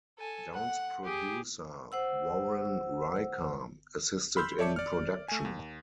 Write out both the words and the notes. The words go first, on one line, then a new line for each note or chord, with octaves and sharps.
Down's producer, Warren Riker, assisted in production.
A4 G#5
F#5
G4 G#4
C5 F#5 E6
B5 C6 E6 F6 G6
C#5 D5 E5 A5 D6 C#7
D5 F6
A3 G#5
D#2